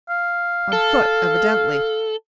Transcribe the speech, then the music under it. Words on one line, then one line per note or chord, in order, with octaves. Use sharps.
On foot, evidently.
F5
A4